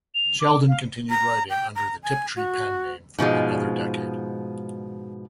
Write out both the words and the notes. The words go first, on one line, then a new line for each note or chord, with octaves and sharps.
Sheldon continued writing under the Tiptree pen name for another decade.
F7
D6
F5
A#5
G5
A#5
G#5
F#4
G#2 B2 F3 G#3